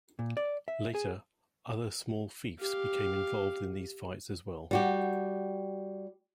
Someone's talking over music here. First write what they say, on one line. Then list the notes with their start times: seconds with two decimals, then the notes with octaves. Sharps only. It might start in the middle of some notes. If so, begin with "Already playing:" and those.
Later other small fiefs became involved in these fights as well.
0.19 A#2
0.37 D5
0.68 E5
0.95 G#4
2.59 G4 F5
4.71 G3 F#4 G4